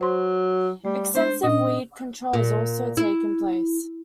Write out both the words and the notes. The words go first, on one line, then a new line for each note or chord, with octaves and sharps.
Extensive weed control has also taken place.
F#3 C5 C6
G3 A3
G#3 B3 D4 C5
A#2 C#4 D4 D#5
A#2
E4